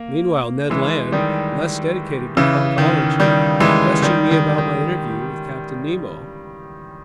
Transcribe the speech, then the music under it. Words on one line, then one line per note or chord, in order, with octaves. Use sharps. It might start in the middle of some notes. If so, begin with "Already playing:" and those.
Meanwhile Ned Land, less dedicated to conchology, questioned me about my interview with Captain Nemo.
Already playing: A#3
E3 G#3
D#3 G3
C#3 E3
D#3
D#3 G3
E3 G#3
D#3 G3
D#3
D#3